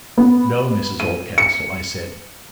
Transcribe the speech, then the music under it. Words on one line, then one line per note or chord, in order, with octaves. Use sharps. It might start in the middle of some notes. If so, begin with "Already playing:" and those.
"No, Mrs Oldcastle," I said.
B3
D#7
C#7